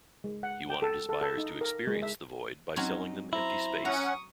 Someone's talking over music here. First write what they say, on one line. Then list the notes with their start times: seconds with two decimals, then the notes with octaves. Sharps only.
He wanted his buyers to experience The Void by selling them empty space.
0.24 G#3
0.43 F#5
0.70 G5
0.82 A4
1.09 A4
1.21 A4
1.37 D#4
1.61 A#4
1.87 G#3
2.03 E5
2.76 F#3 C4 C#4 D#4
3.33 E4 C5 A#5
3.85 C#4 F#5 A#5 C#6 D#6